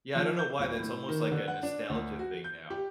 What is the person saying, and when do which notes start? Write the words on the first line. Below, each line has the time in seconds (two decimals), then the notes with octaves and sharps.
Yeah I don't know why that's almost like a nostalgia thing now.
0.15 F3
0.39 G6
0.59 D1
0.80 A2
1.09 D#3
1.31 D3
1.48 F#5
1.63 D4
1.90 D2
2.19 F#4
2.44 G6
2.70 G4